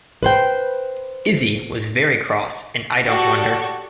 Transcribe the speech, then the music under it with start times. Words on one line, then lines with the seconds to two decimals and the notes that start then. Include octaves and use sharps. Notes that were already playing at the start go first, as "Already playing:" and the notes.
Izzie was very cross and I don’t wonder.
0.23 B4 C5 G5
3.05 F#4 G4 A4 D5 C#6